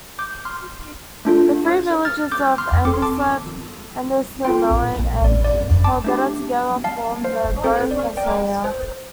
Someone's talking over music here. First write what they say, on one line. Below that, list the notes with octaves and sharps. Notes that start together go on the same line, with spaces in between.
The three villages of Andselv, Andslimoen, and Heggelia together form the Bardufoss area.
D6 G6
C6 F6
A3 D4 F4 A4
F6 A6
D6 G6
C6 F6
C4 A4 D6
C6
A5 D6
C4 F4 A4 G5 C6
D5
D5
A5 D6
A3 D4 G4
F5 A5
C5 F5
C4 A4 C5
D5
D5 G5
C5